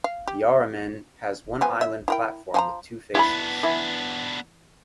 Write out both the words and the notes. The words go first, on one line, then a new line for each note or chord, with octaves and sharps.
Yarraman has one island platform with two faces.
F5
G4
F3 B3 G#5
E5
E4 A#4 G5
F3 G#5 A#5
B3 D4 E4 G5 B5
E3 E4